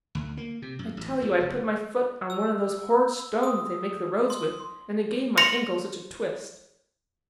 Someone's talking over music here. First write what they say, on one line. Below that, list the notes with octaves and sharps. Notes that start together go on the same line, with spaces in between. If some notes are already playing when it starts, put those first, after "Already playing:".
"I tell you I put my foot on one of those horrid stones they make the roads with, and it gave my ankle such a twist."
D2
A#3
C3
F#2
A1
F2
F#1
E6
D#6
C6
C6 A#6 C#7 F7